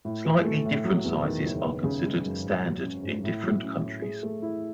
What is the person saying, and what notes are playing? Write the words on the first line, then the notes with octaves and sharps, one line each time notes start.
Slightly different sizes are considered "standard" in different countries.
A2
E3
A3
A2
F#3
E2
D#3
F#1
B3
C#3
G#3
F#2
G#2
F#3
C#4
G#2
A2
F#3
C#4
A2
G#4
A3
E4